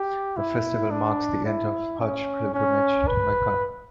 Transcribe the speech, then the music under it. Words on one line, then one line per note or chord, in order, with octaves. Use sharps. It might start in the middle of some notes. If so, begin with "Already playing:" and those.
The festival marks the end of the Hajj pilgrimage to Mecca.
Already playing: G4
E4
D4
E4
C#4
C#4
B4